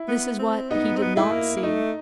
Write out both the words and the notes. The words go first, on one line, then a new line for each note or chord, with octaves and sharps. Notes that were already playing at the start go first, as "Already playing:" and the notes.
This is what he did not see.
Already playing: E4
B3
C4
B3 D#4
C4
B3
G#3 E4
A3
A#3
A#3
A3 D#4